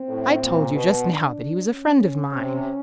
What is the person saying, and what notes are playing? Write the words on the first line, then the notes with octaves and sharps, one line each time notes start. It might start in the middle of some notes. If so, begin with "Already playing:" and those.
"I told you just now that he was a friend of mine."
Already playing: C4
A2
A#2
B2
D4
C#4
C3